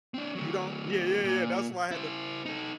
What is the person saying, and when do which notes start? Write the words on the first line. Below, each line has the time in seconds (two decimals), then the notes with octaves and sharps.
You don't Yeah, yeah, yeah, that's why I had to
0.14 C4 D4
0.35 F#3 A3
1.23 A#2
1.91 E4 C5
2.45 D#4 A4